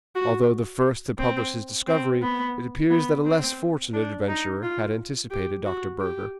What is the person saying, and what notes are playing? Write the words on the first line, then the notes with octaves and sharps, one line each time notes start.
Although the first to publish his discovery, it appears that a less fortunate adventurer had anticipated Dr. Burger.
F#4
C4
C4
B3
B3
C4
D4
D#4
F4
G4
F#4
G4